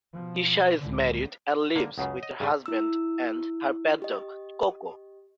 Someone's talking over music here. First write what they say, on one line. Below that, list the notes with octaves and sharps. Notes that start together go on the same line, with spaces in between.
Isha is married and lives with her husband and her pet dog Coco.
B2 F3
C#2 A2 D3
D3 A#3
C#2 F#2 C#3 C#5 F#5 D#6
D#5
G2 C#3 G3 G#4
E4 E6
G4 D#5